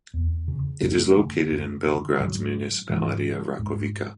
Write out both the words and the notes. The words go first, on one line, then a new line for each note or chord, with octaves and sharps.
It is located in Belgrade's municipality of Rakovica.
E2
C#3
F#2 A3
D3
F#2
D3
G#2 F#3
G#2 E3
G#2